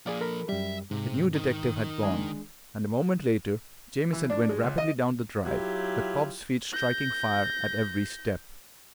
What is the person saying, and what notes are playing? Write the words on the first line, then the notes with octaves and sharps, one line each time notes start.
The new detective had gone, and a moment later Jamieson went rapidly down the drive, the cob's feet striking fire at every step.
F3 A#3 G#4 D5 F5
A4 A#4 B5
F#2 G3 E5
G#2 C3
D#3 D#4
G#3 D4 G#4
E3
D4
G#3
C#2
D#5
F#3 E4 F4 G4
G6 A#6